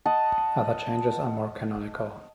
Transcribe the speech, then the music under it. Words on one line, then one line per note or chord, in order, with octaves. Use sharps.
Other changes are more canonical.
D#5 F#5 A5